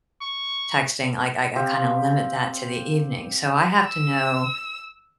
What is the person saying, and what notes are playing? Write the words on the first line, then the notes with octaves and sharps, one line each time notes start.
texting, like, I I kinda limit that to the evening. So I have to know
C#6
C4 G4 C5 F5
E6